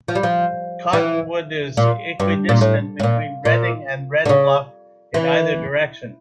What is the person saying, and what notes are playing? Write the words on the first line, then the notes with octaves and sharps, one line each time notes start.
Cottonwood is equidistant between Redding and Red Bluff, in either direction.
F3
G3
F3
E3
A#2
G2
A#2
A2
A2
A#2
A#2
D3
C#3
E3